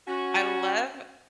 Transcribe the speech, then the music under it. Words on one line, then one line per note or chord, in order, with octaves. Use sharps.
I love
C#4 F#4